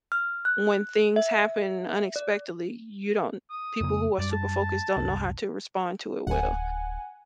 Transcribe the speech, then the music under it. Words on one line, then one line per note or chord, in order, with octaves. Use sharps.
when things happen unexpectedly, you don't people who are super focused don't know how to respond to it well.
F6
F#6
E5
D5
D#6
F2 C#3 A#3
F#2 G3 D5
A5
F#1 C2
D1 F#5 G#5